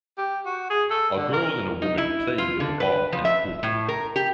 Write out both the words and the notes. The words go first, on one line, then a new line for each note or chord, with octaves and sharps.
A girl and a woman playing with a ball in a pool.
G4
F#4
G#4
A4
D3
A#4
D#4
E4
F4
D3
B4
F3
E5
A2
A#4
G4